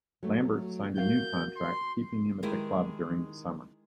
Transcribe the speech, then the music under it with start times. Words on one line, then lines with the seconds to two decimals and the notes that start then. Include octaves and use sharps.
Lambert signed a new contract keeping him at the club during the summer.
0.23 F#3 A3
0.96 F#4 A#4 F5 G6
1.57 C6
2.43 D#3 G#3 E4 G4 A#4